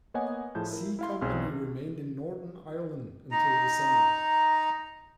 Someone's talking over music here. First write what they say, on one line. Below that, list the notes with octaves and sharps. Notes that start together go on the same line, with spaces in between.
C Company remained in Northern Ireland until December.
A#3 B3 C#5 D#5 F#5 G#5
A2 F3 G#4 A5 G6
E4 A#4
E4 F5 C6
B1 C4 G#4 C6 F6
D#4 A#5